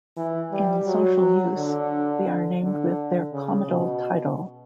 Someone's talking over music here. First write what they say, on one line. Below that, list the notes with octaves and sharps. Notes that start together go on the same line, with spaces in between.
In social use they are named with their comital title.
E3
G3
F#3
D3
D3
C#3
B2